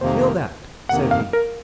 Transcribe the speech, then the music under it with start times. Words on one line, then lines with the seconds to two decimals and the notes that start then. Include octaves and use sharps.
"Feel that!" said he.
0.01 F2 C3 D#3 A#3 C5
0.89 F2 C3 D#3 A#3 F#5
1.11 F5
1.33 A#4